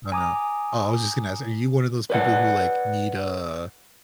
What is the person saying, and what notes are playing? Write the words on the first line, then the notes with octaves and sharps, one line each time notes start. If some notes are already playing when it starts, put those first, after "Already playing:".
Oh, no. Oh, I was just gonna ask, are you one of those people who, like, need a
G#5 A#5 D6 D#6
B4 D5 F#5